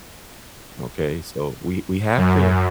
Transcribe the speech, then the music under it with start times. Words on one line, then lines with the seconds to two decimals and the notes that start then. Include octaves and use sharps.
Okay? So we we have to,
2.17 F#2